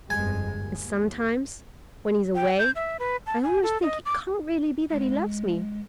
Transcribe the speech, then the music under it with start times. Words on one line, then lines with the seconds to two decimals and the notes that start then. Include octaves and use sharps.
And sometimes, when he is away, I almost think it can't really be that he loves me.
0.10 G1 F2 G#3 G#5
0.60 D#2
2.35 G5
2.59 G6
2.76 E5
2.99 B4
3.27 A5
3.43 G#5
3.63 A4
3.82 D#5
4.06 D6
4.91 G#3